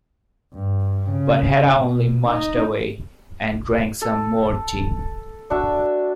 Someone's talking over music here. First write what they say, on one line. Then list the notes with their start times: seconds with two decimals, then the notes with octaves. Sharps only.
But Hatta only munched away, and drank some more tea.
0.54 G2
1.11 C#3
1.78 B2
2.29 D#4
4.02 A4
5.50 D4 F#4 E5